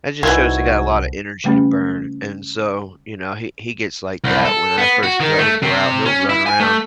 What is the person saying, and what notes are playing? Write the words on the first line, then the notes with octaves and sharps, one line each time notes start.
That just shows they got a lotta energy to burn. And so, you know, he he gets like that. When I first let him go out, he'll run around,
C2 D#3 E3 D#4 F#4 E5 G#6
C#3 G3 A3 C#4 G4
C2
A4
B3
F#4
D#3
A3
C3
C#4
E4
G#5
A3